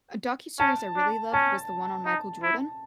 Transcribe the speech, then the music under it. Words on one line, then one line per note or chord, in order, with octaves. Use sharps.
A docuseries I really loved was the one on Michael Jordan
C#4 A5
D4
C#4 A5
D#4
E4